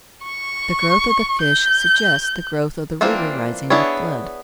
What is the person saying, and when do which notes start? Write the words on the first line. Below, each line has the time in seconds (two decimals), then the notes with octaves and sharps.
The growth of the fish suggests the growth of the river rising in flood.
0.23 C#6
1.41 G6
3.01 E3 F3 A#3 C4 D4
3.70 B3 D4 E4 G#4 C#5